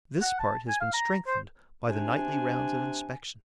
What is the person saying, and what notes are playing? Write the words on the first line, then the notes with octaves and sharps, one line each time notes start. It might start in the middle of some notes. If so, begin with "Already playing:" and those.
This part has been strengthened by the nightly rounds of inspection.
F#5
A5
G#5
F5
A#5
C5
C3 D4 G#5